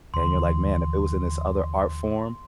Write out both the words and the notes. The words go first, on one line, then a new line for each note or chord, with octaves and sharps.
and you're like, "Man, if it was in this other art form,"
D#2 D3 E3 C6